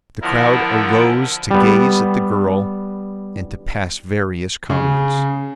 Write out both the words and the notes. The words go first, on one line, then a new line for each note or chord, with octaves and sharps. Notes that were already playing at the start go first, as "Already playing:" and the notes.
The crowd arose to gaze at the girl and to pass various comments.
D3 F3 B3 E4 A#4
G3 B3
C#3